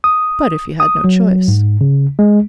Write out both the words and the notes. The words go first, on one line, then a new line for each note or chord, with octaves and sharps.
"But if he had no choice?"
D#6
D#6
F#3
G#2
C#3
G#3